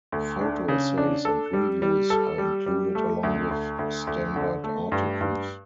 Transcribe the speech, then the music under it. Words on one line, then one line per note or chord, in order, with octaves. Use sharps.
Photo essays and reviews are included along with standard articles.
D2
D4
C#3
D4
A4
G3
G3
A4
G3
G3
A3
D2
D2
D2
D2
D3
A3
G2
G2